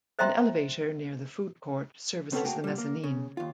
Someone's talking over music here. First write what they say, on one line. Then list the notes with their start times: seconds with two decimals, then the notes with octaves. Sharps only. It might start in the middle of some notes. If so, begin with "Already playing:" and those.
An elevator near the food court services the mezzanine.
0.19 C5 D#5 E5 G5 A#5 C6
2.32 C#2 C4 C#4 A4 B4 F#5
2.45 A3 A#3 F#4 G#4 G5
2.64 A#2 G3
2.78 A#3
3.04 C#3
3.37 D#2 F4